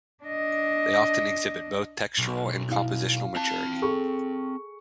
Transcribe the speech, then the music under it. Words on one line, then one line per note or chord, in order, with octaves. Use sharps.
They often exhibit both textural and compositional maturity.
D4 D#5
B1
E4 F5
C4 A5
G#4 A4 C#6